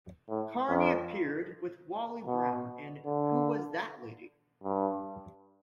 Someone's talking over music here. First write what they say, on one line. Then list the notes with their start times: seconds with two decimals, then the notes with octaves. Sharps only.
Carney appeared with Wally Brown in Who Was That Lady?
0.29 A2
0.69 F2
2.26 B2
3.06 D3
4.63 G2